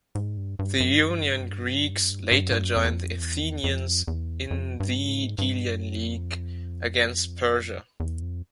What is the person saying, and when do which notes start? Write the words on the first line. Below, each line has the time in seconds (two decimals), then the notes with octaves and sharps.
The Ionian Greeks later joined the Athenians in the "Delian League" against Persia.
0.15 G#2
0.37 G2
0.59 G2
0.80 F#2
0.91 G2
1.01 F#2
1.11 G2
1.20 F#2
1.31 G2
1.41 F#2
1.51 G2
1.61 F#2
1.71 G2
1.81 F#2
1.91 G2
2.01 F#2
2.11 G2
2.21 F#2
2.31 G2
2.42 F#2
2.51 G2
2.61 F#2
2.76 F2
2.84 E2
2.92 F2
3.20 E2
3.64 F2
4.08 E2
4.51 F2
4.80 G2
5.09 G#2
5.38 G2
5.67 F#2
5.96 F2
8.00 E2
8.22 F2